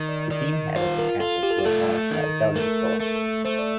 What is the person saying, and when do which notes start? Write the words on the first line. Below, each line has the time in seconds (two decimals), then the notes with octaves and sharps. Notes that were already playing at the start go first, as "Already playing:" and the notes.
The team headed to Kansas where Marsh had dug before.
Already playing: D#3
0.09 D5
0.31 D#3 D5
0.53 D#5
0.76 F4 C5
0.98 A#4
1.20 F4 A4
1.43 G4
1.50 A4
1.59 G4
1.65 A3 A4
2.10 D#3
2.55 A3 A#4
3.00 A3
3.45 A3 C5
3.59 D5